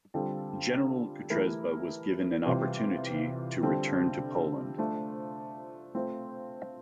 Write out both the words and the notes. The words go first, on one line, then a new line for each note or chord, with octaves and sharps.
General Kutrzeba was given an opportunity to return to Poland.
D3 G3 C4 F4 A4
E3 A3 E4 G4 A#4
C3 E3 G3 C4 F4
D3 G3 C4 F4 A4
A3 D4 F4 C5
A3 C4 F4 C5